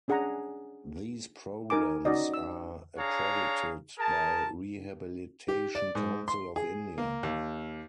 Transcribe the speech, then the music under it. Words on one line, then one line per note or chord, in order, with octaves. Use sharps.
These programs are accredited by Rehabilitation council of India.
C#4 D4 G#4 F#5 G#5 A#5
D#4 A#4 G#5 D6
C#4 D#4 F#4 D5 D#5
E6
D4 G#4 C#5 F5 A#5
G#4 A#4 A5
G4
D5
G#2
C6
G#4
A#3
D#2